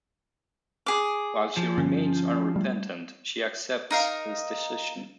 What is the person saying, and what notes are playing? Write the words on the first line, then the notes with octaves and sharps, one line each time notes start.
While she remains unrepentant, she accepts his decision.
G#4 D6
F3
G2 D3 C#4
G3 A3
D#4 A#4 F5